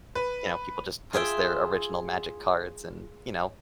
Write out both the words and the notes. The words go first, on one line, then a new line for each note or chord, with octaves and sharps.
you know, people just post their original Magic cards, and, you know,
B4
F4 G#4 E5 G5